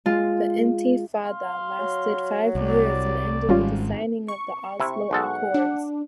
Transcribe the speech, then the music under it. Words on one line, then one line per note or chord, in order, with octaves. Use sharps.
The Intifada lasted five years and ended with the signing of the Oslo Accords.
G#3 F4
F5 C6
F#3
C2 D5
G#1 G#2 G3 C#4 F4
C#6
C3 E4
B1 G#3 A4 F#5
D4